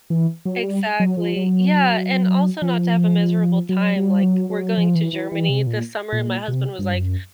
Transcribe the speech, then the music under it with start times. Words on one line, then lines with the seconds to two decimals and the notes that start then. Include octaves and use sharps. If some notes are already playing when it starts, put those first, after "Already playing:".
Exactly, yeah, and also not to have a miserable time, like, we're going to Germany this summer and my husband was like,
0.10 E3
0.46 F#3
0.63 G3
1.00 F#3
1.17 F3
1.36 F#3
2.62 F3
3.69 F#3
3.96 G3
4.23 F#3
4.50 F#3
4.77 F3
4.95 E3
5.13 E3
5.32 E3
5.49 C3
5.67 A#2
6.12 A#2
6.48 B2
6.53 C3
6.79 G2
6.93 F#2